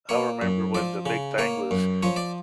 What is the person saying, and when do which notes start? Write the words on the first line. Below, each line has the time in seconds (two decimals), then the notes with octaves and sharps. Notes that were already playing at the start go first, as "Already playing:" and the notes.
I remember when the big thing was
0.09 A#3 C#5
0.42 F#2
0.75 F3 D5
1.06 C#3
1.38 A#3 C#5
1.71 F#2
2.03 F3 C#5
2.16 D5